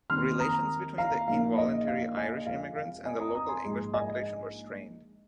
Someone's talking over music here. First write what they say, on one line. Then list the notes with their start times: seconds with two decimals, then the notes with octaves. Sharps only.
Relations between the involuntary Irish immigrants and the local English population were strained.
0.10 D#2 D#3 C4 D#4 C6 F6
0.39 A#5 D#6
0.98 F5 A#5
1.28 A#1 A#2 A#3 D#4 F5
1.58 D#5
1.88 F5
2.17 D#5 G#5
2.46 F2 C3 G#3 C4 F4 F5
2.76 F5
3.05 D#5 G#5
3.20 A#5 D#6
3.35 A#5 D#6
3.49 G#5 C6
3.63 A#1 G#2 G#3 F4
3.94 D#5 G#5